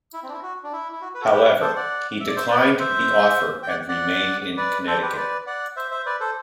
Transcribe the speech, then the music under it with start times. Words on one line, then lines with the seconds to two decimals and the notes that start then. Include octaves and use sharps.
However, he declined the offer and remained in Connecticut.
0.14 E4
0.23 C4
0.28 D4
0.33 E4
0.43 F#4
0.63 D4
0.73 E4
0.92 E4
1.01 F#4
1.15 B4
1.21 F#4 A4
1.31 G4 B4
1.61 A4 C5
1.76 D5 F#5
2.20 E5
2.28 D5
2.36 C5 E5
2.49 B4 D5
2.79 C5 E5
3.63 G5
3.68 D5 F#5
3.88 D5 F#5
4.57 B4 D5
4.87 A4 C5
5.02 G4 B4
5.12 C5
5.17 B4 D5
5.47 D5 F#5
5.76 C5 E5
5.91 C5 E5
6.06 B4 D5
6.20 A4 C5